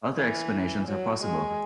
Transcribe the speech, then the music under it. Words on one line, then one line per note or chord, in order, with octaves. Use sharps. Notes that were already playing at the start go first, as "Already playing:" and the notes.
Other explanations are possible.
E3
F#3
G#3